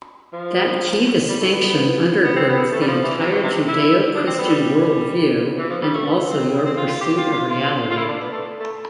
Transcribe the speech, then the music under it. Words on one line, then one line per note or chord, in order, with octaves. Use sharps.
That key distinction under-girds the entire Judeo-Christian worldview, and also your pursuit of reality.
F3
G3
A3
B3
B3
B3
C4
B3
A3
G3
F3
E3
C3
B2
C3
E4
D4
C4
B3
G3
E3
F3
G3
A3
B3
C4
C4
F4
F4
G4
F4
F4
F4
F4
E4
D4
B3
A3
A3